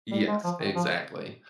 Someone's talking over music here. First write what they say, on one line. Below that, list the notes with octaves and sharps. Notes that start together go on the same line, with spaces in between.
Yes, exactly,
G3
G#3
F3
D#3
F3